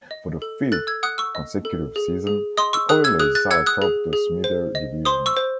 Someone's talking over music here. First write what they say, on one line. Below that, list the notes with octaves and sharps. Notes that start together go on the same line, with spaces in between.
For the fifth consecutive season, the Oilers sat atop the Smythe Division.
D#5
A4
A4 F#6 A6
E6 G#6
F#5 D#6 F#6
C#6 E6
D#5
A4
G#4
G#4
D#5 C6 D#6
C#6 E6
G#4 D#6 F#6
E6 G#6
G#4 D#6 F#6
F#6 A6
F#5 E6 G#6
D#6 F#6
G#4
G#4
C5
D#5
C5 C6 D#6
C#6 E6
C5